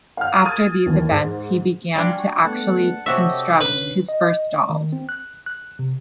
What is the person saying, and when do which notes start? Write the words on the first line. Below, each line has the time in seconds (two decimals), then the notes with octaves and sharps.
After these events, he began to actually construct his first dolls.
0.17 F5 F#5 F6
0.45 D#6 F6 G#6 A6 D#7
0.86 D#2 E3
1.09 G#2
1.95 G3 D4 F5 G#5 A#5 C6
2.18 F#4
2.44 A3 B3 F#5 A5
3.06 C3 F#4 G4 A4 C#5 D#5 E5
3.61 D3 C#4 B4
4.09 D#5
4.70 D#3
4.93 C4
5.09 F#6
5.46 F#6
5.79 C3